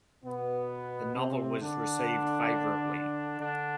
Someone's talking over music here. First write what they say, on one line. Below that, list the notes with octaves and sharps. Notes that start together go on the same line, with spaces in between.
The novel was received favorably.
B2 B3
C3 C4
D3 D4
D3 D4